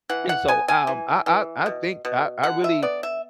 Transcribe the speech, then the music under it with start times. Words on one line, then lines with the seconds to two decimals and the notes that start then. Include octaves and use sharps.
and so, um, I I I think I I really,
0.09 E3 F#5
0.29 F#5
0.48 B3 G#5
0.68 G#5
0.87 E3
1.26 E3
1.66 B2
2.05 B2
2.43 D3 F#5
2.64 E5
2.82 B3 D5
3.03 E5